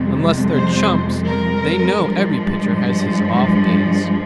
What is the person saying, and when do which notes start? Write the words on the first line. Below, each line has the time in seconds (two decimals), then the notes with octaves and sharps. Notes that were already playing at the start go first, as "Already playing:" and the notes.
Unless they're chumps, they know every pitcher has his off days.
Already playing: F2 C3 F3 G#3
0.55 C5
1.26 A#4
1.97 G2 F3 G#3